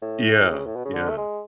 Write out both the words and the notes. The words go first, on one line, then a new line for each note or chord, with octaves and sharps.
Yeah. Yeah,
A2
C#3
A2
B2
C#3
D3
A3
G#3